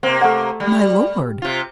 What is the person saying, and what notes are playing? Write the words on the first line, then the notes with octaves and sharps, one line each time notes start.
"My lord!"
C3 A#3 C4
A3 F#5
G3
C3 F4